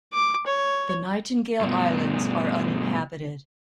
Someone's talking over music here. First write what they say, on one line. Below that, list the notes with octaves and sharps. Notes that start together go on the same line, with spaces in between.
The Nightingale Islands are uninhabited.
D6
C#5
G2 B2